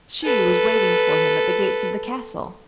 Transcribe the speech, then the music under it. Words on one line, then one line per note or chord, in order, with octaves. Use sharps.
She was waiting for him at the gates of the castle.
A4 B4